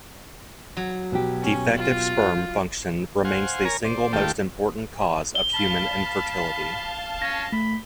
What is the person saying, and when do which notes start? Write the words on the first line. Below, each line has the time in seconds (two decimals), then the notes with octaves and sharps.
Defective sperm function remains the single most important cause of human infertility.
0.77 F#3
1.12 B2 G4
1.43 C#4
1.76 F4
3.25 C5 F5 F#5 G#5
3.65 A#4 C#5 G#5 A#5
3.84 C5 D5
4.13 D#2 A3 F4 G4 G5 A5
5.35 G7
5.54 F5 A5 B5
7.22 C#4 A#6
7.52 A3 B5